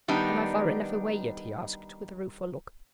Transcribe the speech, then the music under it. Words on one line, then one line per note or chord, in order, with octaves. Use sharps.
"Am I far enough away yet?" he asked, with a rueful look.
D#3 G3 B3 D4 D#4